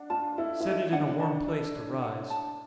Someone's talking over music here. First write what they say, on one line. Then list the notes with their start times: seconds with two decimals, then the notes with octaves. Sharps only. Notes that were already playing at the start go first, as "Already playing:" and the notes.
Set it in a warm place to rise.
Already playing: D4 F#5
0.10 F4 A5
0.38 E4 A4
0.61 E4
0.65 D#4 C#5
0.92 D4 F#5
1.20 A5
1.48 A4
1.75 C#5
2.02 F#5
2.30 A5